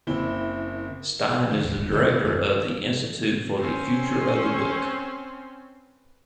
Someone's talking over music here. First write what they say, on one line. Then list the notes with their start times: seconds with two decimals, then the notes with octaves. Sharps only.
Stein is the director of the Institute for the Future of the Book.
0.07 F#1 A#3 C4 E4 G7
1.51 D3
1.64 D#2
1.76 D#1
1.92 D3
2.07 B2
2.24 F#2
3.59 C4 C#4